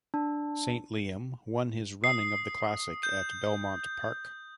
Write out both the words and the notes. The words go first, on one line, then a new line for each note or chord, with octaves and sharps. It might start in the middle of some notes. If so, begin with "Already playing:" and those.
Saint Liam won his running of the Classic at Belmont Park.
D4
D#6 C7
G6